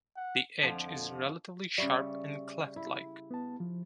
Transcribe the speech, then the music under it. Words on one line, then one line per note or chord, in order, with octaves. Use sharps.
The edge is relatively sharp and cleft-like.
F#5
F2 D3 F3
C#3 G3 D5 E5 C#6
E4
B3 A5
F3